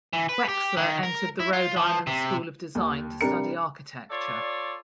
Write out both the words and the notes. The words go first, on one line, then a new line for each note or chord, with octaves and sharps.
Wexler entered the Rhode Island School of Design to study architecture.
E3
B4
G4
D#3
A#4
E4
F4
F3
C3
D#2
C3 G3 D4 A#4 C#7
F4 A4 C#5 D5